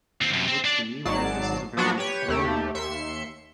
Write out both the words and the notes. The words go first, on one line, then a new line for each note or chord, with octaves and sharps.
looks to me, like, this is a very boring
D#2 C4
F#2 C3
C4
D4 D5
G#1 G#2 F#3 D5 A5 C7
F3 F#3 B3 D4 F#4
G4 B4 C#5
D#2 A3 G4
D#2 E5 C6 C#7